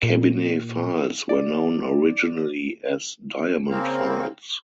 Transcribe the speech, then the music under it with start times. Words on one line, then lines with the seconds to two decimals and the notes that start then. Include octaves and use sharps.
Cabinet files were known originally as Diamond files.
0.03 A#2
1.29 D5
3.70 C#3 A#3 C4